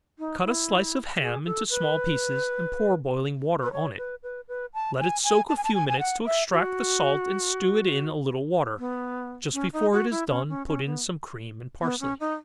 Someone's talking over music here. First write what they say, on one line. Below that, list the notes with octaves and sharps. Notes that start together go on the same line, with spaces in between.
Cut a slice of ham into small pieces, and pour boiling water on it; let it soak a few minutes to extract the salt, and stew it in a little water; just before it is done, put in some cream and parsley.
D#4
E4
G#4
A4
B4
B4
C#5
B4
B4
B4
A5
G#5
G#5
A5
G#5
A5
G#5
G#5
F#5
E5
F#4
B3
C#4
D#4
F#4
E4
C#4
C#4
C#4
B3
B3
C#4
D#4